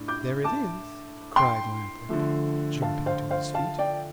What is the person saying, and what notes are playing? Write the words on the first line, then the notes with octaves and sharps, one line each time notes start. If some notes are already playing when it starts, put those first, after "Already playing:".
"There it is!" cried Lamp-Wick, jumping to his feet.
Already playing: A2 D4
D6 G6
A5 D6
G5 C6
D3 F3 A3
F5 A5
C5 F5
C5 F5
F5 A5
D5 G5